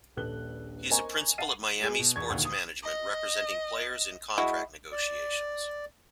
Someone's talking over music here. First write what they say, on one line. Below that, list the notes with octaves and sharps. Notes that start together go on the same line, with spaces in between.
He is a principal at Miami Sports Management representing players in contract negotiations.
D#1 A#1 A4 B4 F#6 G7
A#4 C5 D#5 G#5 A#5 C#6
F5 F#5 A5 A6 C7 D#7
G#3 G#4
B2
E2 C#6 G#6
D2 A#2 D#3
D#6
D#5
G#3 E4 F#4
D5